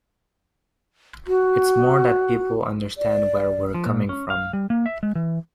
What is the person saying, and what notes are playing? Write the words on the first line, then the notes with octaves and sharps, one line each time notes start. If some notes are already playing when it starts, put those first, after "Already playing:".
It's more that people understand where we're coming from.
F#4
D5
F3
A#2
C#4
F5
G3
A#3
E5
G#3
E3